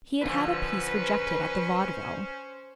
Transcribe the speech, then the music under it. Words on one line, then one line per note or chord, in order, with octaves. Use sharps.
He had had a piece rejected at the Vaudeville.
A#2 D3 F3 C#4 B4 C5